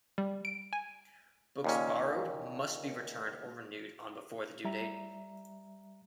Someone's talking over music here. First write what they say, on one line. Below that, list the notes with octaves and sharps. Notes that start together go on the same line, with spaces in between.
Books borrowed must be returned or renewed on before the due date.
G3
D7
G#5
D#2 A#2 C#4
G3 E5 A#5